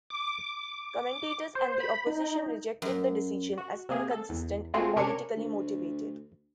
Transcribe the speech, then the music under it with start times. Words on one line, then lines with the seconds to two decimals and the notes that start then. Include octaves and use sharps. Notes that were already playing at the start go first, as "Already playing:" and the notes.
Commentators and the opposition rejected the decision as inconsistent and politically motivated.
0.10 D6
1.55 C5
1.80 B5
2.07 D#4
2.82 F#2
3.58 F#4
3.89 C3 A#3 G#4
4.11 A4
4.29 E2
4.74 G#3 A3 C4 F4 F#4 G#4
4.96 C3 C#4 D4 A#4 G#6 C#7
5.37 D2